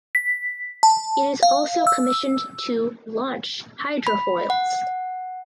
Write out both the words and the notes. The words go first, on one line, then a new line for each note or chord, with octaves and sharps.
It is also commissioned to launch hydrofoils.
B6
A5
F5
E6
B5
F#5